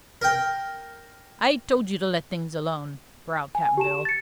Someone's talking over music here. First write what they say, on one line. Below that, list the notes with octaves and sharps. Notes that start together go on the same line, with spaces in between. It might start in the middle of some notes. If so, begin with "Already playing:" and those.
"I told you to let things alone," growled Cap'n Bill.
A#4 G5
G#5
G4 A5 E7
A6 C#7